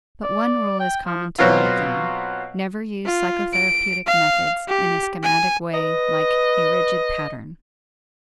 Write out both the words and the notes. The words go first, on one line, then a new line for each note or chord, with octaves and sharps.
But one rule is common to all of them: never use psychotherapeutic methods in a schematic way like a rigid pattern.
D5
G5
F3
B2 F#3 B3 C4 F4
F4
D7
F5
G4
G#5
B4 D#5